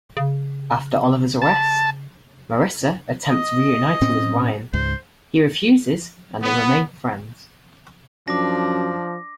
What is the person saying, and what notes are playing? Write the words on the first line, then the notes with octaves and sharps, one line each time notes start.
After Oliver's arrest, Marissa attempts reuniting with Ryan, he refuses and they remain friends.
C#3
A5
D#5
A2 C4 C#4
C#2 G#2 C5
B3
F#2 F3 D4 D6 A#6